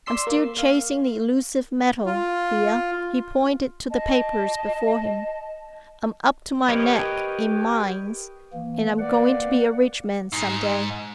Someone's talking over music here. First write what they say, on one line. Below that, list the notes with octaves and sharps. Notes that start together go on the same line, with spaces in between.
"I'm still chasing the elusive metal, Thea,"--he pointed to the papers before him,--"I'm up to my neck in mines, and I'm going to be a rich man some day."
D5 C6 E6 B6 C7
A#3
F5
F4
D#5 A5
G4 A#4 B4 C#5 D#5
E3 A#3
A#3 B4 D5 F#5
G#2